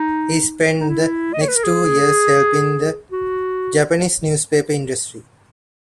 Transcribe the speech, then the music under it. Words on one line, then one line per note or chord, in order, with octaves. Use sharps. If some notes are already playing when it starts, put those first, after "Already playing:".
He spent the next two years helping the Japanese newspaper industry.
Already playing: D#4
D#4
E4
D#5
C#5
B4
A#4
G#4
F#4